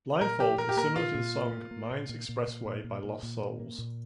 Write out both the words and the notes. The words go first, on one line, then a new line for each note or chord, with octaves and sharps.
"Blindfold" is similar to the song "Mind's Expressway" by Lost Souls.
A#2 A#4
F3 G4
A#2 A#4
G4
A#3 A#4
A#2 F4
A#2
A#3
A#3
A#3
A#2
A#2
A#2
A#2
A#2
A#2
A#2
A#2
A#3
A#3
A#2